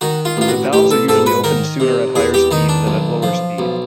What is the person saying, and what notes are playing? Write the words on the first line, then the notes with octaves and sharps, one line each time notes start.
The valves are usually opened sooner at higher speed than at lower speed.
D#3 F#4
F4
A1 F4
F#4
A1 G4
A4
G#2 A4
B4
D#3 A#4
C3
E2 G#4
G4
D#3 D#4
D4
B1
F3
B1